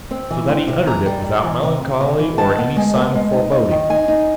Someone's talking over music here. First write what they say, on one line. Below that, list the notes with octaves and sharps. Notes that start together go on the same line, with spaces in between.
So that he uttered it without melancholy or any sign of foreboding.
C4
E3
C4
C3
E3 A#5
G3
G3
E3
C3
C3
C3
E3
D#3 A5
B3
G#3
B3
G#3
D#4
D#4
D#3
D#4 G#5
D#4